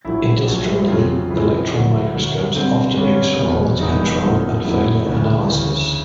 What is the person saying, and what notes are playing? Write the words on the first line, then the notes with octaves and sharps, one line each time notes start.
Industrially, electron microscopes are often used for quality control and failure analysis.
A#1 A2 F#3 E4
A#1 A2 F#3
F2 C#3 F#3 F4
F2 C#3 F#3 E4
D2 D3 F#3
D2 D3 F#3
G2 D3 G3 C4
G2 D3 G3 C#4
F1 E2 B2 F#3 D4
F1 E2 B2 F#3 D#4
F2 D3 F#3 A#3
F2 D3 F#3 A#3 E4
D2 C#3 E3
D2 C#3 E3